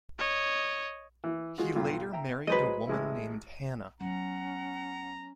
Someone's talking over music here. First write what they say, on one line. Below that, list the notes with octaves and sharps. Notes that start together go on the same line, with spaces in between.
He later married a woman named Hanna.
C#5 D#5
E3
G#3 F4 F#4
B1 G2 F4
E5 G5 A#5
F#3 G#3 B4 C5 D#5
A1 G#3 E4
F#3 B3 C#4 F#5 A#5